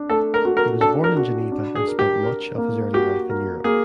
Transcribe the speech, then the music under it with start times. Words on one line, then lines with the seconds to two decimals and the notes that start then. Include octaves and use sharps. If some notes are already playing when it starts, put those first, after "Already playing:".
He was born in Geneva and spent much of his early life in Europe.
Already playing: D4
0.10 A3 A4
0.34 A#4
0.45 F#4
0.57 A#4
0.80 D4 A4
1.04 A#4
1.17 F#4
1.52 D4
1.75 G#4
1.88 A#4
1.99 G4
2.23 A#4
2.58 A#3
2.94 F#4 G4
3.29 A#4
3.64 A#3 G#4